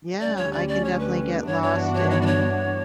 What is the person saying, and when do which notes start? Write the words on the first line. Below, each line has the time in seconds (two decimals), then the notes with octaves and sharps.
yeah, I can definitely get lost in
0.21 D2 D3 G3 C#4 D5
0.37 C#5
0.53 D5
0.68 D5
0.85 C#5
0.99 B4
1.47 G2 E3 B3 D4 F#4 C#5
1.63 C#5
1.95 C#5
2.11 C#5
2.22 D5
2.26 C#5